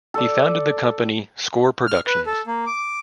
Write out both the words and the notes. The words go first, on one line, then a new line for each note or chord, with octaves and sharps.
He founded the company Score Productions.
A4 D5
F6
B4
A4
A#3
D6